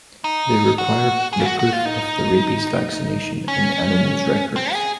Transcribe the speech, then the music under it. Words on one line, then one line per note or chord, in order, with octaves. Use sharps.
They require the proof of the rabies vaccination in the animal's records.
D#4
F#4
G#4
F4
F#4
F#4
F4
D#4
C#4
C4
G#4